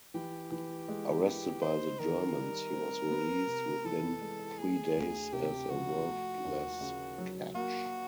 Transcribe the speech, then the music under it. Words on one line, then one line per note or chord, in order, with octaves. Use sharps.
Arrested by the Germans, he was released within three days as a worthless catch.
E3 G4
E3
G#3
B3
D#4 C5
D#3 A#4
G3
C4
B3
C3
E3 A4
G#3
A3 G#4
D2
C3 G4
F3 F#4
A3
D#2
C#3
F#3
A#3 F#4